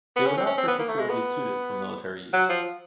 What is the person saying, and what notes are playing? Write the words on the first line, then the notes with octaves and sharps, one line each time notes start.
They were not particularly suited for military use.
B3
C#4
C4
C#4
C4
B3
A#3
A3
G#3
B3
F#3
F3